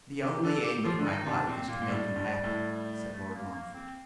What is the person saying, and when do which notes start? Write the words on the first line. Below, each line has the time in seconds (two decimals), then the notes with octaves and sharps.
'The only aim of my life is to make you happy,' said Lord Montfort.
0.22 C3 G4
0.43 D3 A4
0.64 G4
0.85 F3 F4
0.99 D3
1.06 D#3 D#4
1.26 C3 D4
1.47 A#2 C4
1.68 A#2 A#3
1.82 A#2
1.88 A2 G3
2.16 G2
2.44 A2
2.71 G3
2.92 G3
3.13 A3
3.34 A#3
3.54 A#3
3.75 C4